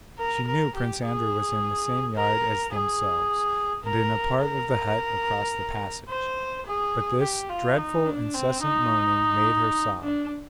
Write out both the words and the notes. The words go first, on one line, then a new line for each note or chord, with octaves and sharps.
She knew Prince Andrew was in the same yard as themselves and in a part of the hut across the passage; but this dreadful incessant moaning made her sob.
A#4
A#4
G4
G#4
A#4
G#4
A#4
A#4
C5
G#4
G4
F4
D#4
D4
C4
D#4
D4